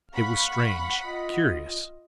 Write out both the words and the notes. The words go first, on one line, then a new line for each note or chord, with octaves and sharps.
It was strange, curious!
F5 F#5 B5 C#6
F4 D#5